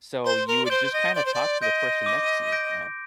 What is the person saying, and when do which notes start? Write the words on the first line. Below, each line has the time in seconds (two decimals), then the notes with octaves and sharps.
so you would just kinda talk to the person next to you, you know?
0.24 C5 C6
0.48 A#4
0.66 D5
0.70 C5 G6 D7 G7
0.93 D#5
1.15 D5 C6
1.26 C5
1.34 D5
1.62 D#5 G6 D7 G7
2.06 D6
2.52 G6 A#6 D7